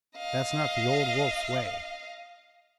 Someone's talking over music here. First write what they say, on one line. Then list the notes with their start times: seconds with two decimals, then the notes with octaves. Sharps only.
That's not the Old Wolf's way.
0.17 D#5 F5